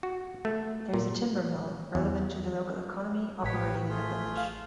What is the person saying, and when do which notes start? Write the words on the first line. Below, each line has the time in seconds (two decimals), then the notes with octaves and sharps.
There is a timber mill, relevant to the local economy, operating in the village.
0.03 F#4
0.45 A3
0.94 A#2
1.95 E2
3.43 A1 G4 B4 C#5 B6
3.89 A3 F4 G#4
4.37 F5